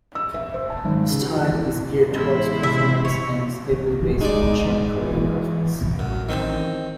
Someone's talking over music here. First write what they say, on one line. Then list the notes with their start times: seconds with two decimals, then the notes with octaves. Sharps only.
The style is geared towards performance and is heavily based on short choreographies.
0.15 E6
0.34 E5
0.54 C5
0.70 A5
0.85 G#1
1.10 C#3
1.22 F#4
1.35 E2
1.54 E3
2.10 A1 E2 G#3 E4 C5
2.63 C3 E5
3.05 C#5
4.21 G#3 D#4 D5
4.59 G#2
5.02 E3
5.99 A1 F#2
6.29 D#3 C4